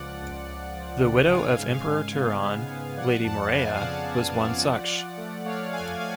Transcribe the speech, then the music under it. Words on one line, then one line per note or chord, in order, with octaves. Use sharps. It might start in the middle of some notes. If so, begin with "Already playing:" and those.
The widow of Emperor Turhan, Lady Morella, was one such.
Already playing: C#2 F3 D5 F#5
C#2
C#2
F3
C#3
G#2 F5 G#5
G#3
F5 G#5
G#2
B3
B3
B3
F3 D5 F#5
F2 F#5 A5
B3 F5 G#5
F5
C#3 D5 F#5
B3
F3
F3
F3
A3
A3 C#5 F5
A3 F5 G#5
A3 F5 G#5